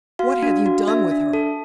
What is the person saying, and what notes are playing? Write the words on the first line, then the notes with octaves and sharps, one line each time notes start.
What have you done with her?
F#4 F5
D4
F#4
D4 E5
D4
A4